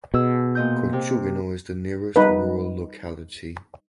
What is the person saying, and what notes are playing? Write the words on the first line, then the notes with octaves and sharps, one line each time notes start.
Kolchugino is the nearest rural locality.
B2 G#4 E6
A#2 D#5 G6
C3
G3 D#4 B4